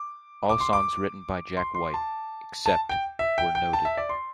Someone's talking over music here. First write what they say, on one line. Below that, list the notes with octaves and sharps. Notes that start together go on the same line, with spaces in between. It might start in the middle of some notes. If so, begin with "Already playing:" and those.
All songs written by Jack White except where noted.
Already playing: D6
D6
C6
D6
C6
C6
A5
A5
G5
E5
G5
G5
A5
E5
D5
C6